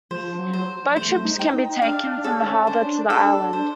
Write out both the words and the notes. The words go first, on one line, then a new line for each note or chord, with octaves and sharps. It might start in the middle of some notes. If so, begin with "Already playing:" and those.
Boat trips can be taken from the harbour to the island.
F3 C5
F#3
C5
A3 C5
D#4
G5
D#4
D4 F5
C#4 A4
D4 C5
D4 A4
D4 C5